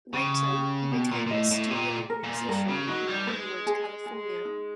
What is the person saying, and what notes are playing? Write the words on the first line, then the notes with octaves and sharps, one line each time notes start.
Later he became a studio musician in Hollywood, California.
C#3 G4
G4
B2 G4
A#2
A#2
A2 D#5
A2
A#2 G4
A#4
A#2
G2 A#4
C#3
F#3 D#4
G3
G#3 B4
G#4
G#4
D#4